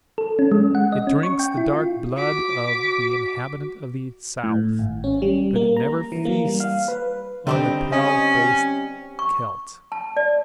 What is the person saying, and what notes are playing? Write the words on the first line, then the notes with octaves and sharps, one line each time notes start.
It drinks the dark blood of the inhabitant of the south, but it never feasts on the pale-faced Celt.
A4
C#4
G#3
F#5
D#5
C#4
C#6
G5
E4
F4
F#4 D6 B6
A2
G#1
C#4
G3
A#3
A#5
E3
A#3
G3
F5
B4
D3 G3 C4 D#4
C#4 D#5
C#6
A5
D5